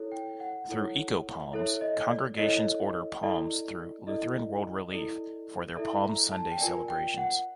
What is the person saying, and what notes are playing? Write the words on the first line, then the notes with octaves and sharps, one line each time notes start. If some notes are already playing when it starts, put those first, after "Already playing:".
Through Eco-Palms, congregations order palms through Lutheran World Relief for their Palm Sunday celebrations.
Already playing: E4 A4 C#5
G5
F#5
E4 A4 C#5
E4 A4 C#5 E5
D#5
D5
E4 A4 C#5 D#5
E4 A4 D5
E4 A4 D5 D#5
E4 A4 D5
E4 A4 D5 E5
A#5
A5
G5
F4 A#4 D5 G#5
G5
F#5